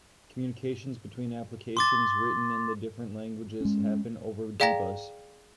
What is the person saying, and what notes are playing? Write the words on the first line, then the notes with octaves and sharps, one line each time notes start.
Communications between applications written in the different languages happen over D-Bus.
C6 D6 A6
G#3 C#4
G#4 D5 F5 G5 A#5 A#6